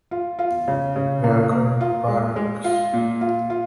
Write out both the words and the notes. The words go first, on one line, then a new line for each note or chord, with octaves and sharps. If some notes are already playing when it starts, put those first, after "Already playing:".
We’re going to Barraques.
F4
F4
C#3
C#3
A#3
A#3
F4
G#3
G#3
F4
A#2
F4
F4